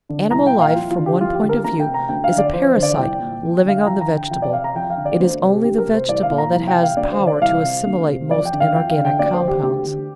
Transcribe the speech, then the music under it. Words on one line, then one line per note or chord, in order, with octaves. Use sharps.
Animal life from one point of view is a parasite, living on the vegetable; it is only the vegetable that has power to assimilate most inorganic compounds.
D3
C2 A#5
G5
A#2
F5
F2 F4
F4
D3
G4
F2 F4
G4
D3
A#4
D2 A#5
G5
C3
A#5
D2 G5
F5
D3
D5
F2 C5
C5
D3
D5
C2 G5
A#2
F2
D3 F5
G5
F2 A#5
A#5
D3
G5
F2 G5
D5
C3 F5
A#5
F2 G5
F5
D3
D5
D2 C5
C3
G4
D2 G4
A#4
C3
C5
C2 D5
F5
A#2
A#5
C2
G5
C3
F5
D2 D5
C5
D3
D5
C2 F5
C3
D2
C3
F2 D5
G5
D3
F5
F2 G5
F5
D3
G5
D2 D5
C5
D3
G4
D2 G4
D3